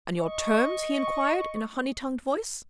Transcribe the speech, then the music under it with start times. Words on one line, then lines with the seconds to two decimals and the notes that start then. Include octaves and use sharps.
'And your terms?' he inquired, in a honey-tongued voice.
0.19 D#5 C#6